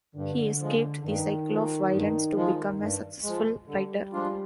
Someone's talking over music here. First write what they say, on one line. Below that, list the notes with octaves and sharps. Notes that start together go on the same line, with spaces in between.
He escaped the cycle of violence to become a successful writer.
G2 D3
F3 G#3
G2 D#3
F3 G#3
G2
F3 G#3
G2
F3 G#3
D3 G3
F3 G#3 D4 F4